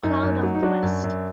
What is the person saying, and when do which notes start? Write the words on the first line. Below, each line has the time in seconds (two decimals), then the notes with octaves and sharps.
Cloud on the west.
0.03 F#2 D#4
0.23 F#2
0.43 F#3
0.55 D#4
0.62 F#3 D4 F#4
0.83 F#2
1.04 F#2